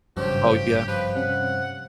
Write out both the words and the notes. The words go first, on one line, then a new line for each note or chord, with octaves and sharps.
Oh, yeah.
G#1 G2 C#3 F3 F#3 G4 C#5
F3 B4
C3 C#4 F#5